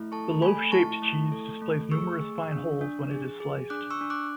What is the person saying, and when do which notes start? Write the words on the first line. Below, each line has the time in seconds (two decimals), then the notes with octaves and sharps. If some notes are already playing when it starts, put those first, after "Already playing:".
The loaf-shaped cheese displays numerous fine holes when it is sliced.
Already playing: A3 E4
0.12 A4 A5 C#6
0.42 A3 G#5 B5
0.72 E4 A5 C#6
1.02 A3
1.32 A4
1.62 A3
1.91 G#4 C#6 E6
2.21 G#4
2.51 D4
2.81 D4
3.11 G#4
3.40 G#4
3.70 D4 D6 F#6
3.90 C#6 E6
4.01 D4
4.10 D6 F#6